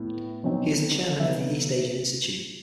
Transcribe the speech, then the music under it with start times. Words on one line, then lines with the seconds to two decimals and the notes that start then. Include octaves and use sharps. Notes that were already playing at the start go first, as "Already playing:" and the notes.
He is the Chairman of the East Asian Institute.
Already playing: A2 B3
0.43 B2 F#3 C4 D#4
1.20 C3 F#3 B3 D#4 E5